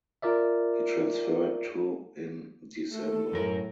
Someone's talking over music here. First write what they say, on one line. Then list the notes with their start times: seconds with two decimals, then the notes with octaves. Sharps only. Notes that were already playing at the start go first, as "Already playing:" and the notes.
He transferred to in December.
0.22 F4 A#4 D5 E5
2.91 A3 A4
3.33 F#2 A2 A#4